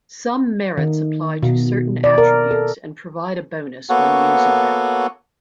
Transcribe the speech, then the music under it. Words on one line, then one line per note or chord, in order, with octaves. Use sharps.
Some Merits apply to certain Attributes and provide a bonus when using them.
D#3
B2
D5
A#4
A4
A#3 B3 F#4 A4 C#5 F#5